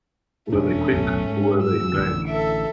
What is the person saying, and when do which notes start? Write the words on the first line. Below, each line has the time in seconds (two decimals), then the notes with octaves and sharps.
Were they quick or were they enraged?
0.52 E1 F2 A3 C#4 D4
0.92 D1 B1 F#2
1.24 G#2
1.63 E6
1.94 A1 D3
2.28 A4 E5